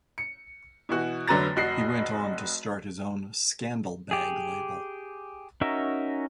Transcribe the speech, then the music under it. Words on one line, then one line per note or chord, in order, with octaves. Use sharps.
He went on to start his own Scandal Bag label.
C#7
B2 E3 F#4
F1 D3 F#3 B4 A#5 A6
F1 F#4 D#5 C7
G4 G#4
C#4 D#4 F#4 A#4 E5